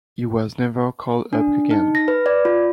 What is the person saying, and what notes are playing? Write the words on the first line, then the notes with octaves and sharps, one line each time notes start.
He was never called up again.
D4
D#4
A#6
B4
D5
F4